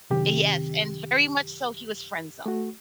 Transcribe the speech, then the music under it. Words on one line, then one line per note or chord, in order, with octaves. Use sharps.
Yes, and very much so he was friend zoned,
F#2 C3 D#3 C4 G4
A3 F#4